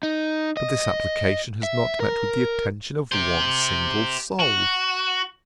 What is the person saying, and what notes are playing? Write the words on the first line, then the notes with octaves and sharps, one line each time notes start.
But this application has not met with the attention of one single soul.
D#4
D#5
E5
A#4
G4 C5
F#4